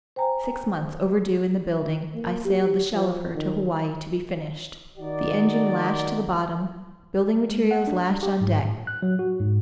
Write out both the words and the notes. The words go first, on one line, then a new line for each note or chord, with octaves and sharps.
Six months overdue in the building, I sailed the shell of her to Hawaii to be finished, the engine lashed to the bottom, building materials lashed on deck.
C5 G5 G#5 A#5
A#3
G4
F3
D#3
D#3 D#4 F#4 D5
G#3
F#5
D4
G3
G4
G#2
A2
F#6
F#3
F#4
G#2